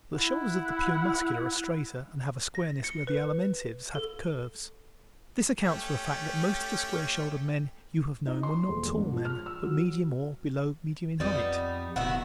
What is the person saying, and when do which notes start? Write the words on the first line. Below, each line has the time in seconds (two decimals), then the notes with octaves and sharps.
But the shoulders of the pure Muscular are straighter and have a squareness where the Alimentive's have curves. This accounts for the fact that most of the square shouldered men you have known were not tall men, but medium or below medium in height.
0.15 E4 F#5
2.55 A#6
2.84 C#7
3.07 B4
3.95 A4
5.63 A3 C#4 G4
8.27 D#4
8.43 C6
8.69 D#1
8.84 E1
8.97 G#2
9.12 F3
9.25 F6
9.46 E6
9.65 F#3
11.20 F2 G3 B3 D#4
11.96 D1 B2 D#3 E4 F#4